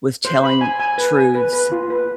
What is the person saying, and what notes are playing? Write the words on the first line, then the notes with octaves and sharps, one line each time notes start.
with telling truths.
C5
B5
G#5
G#5
B4
G#5
B4
B4
F4
B4